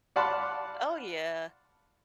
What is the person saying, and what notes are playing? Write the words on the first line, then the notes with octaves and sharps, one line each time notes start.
Oh, yeah.
D5 F5 F#5 A5 B5 C6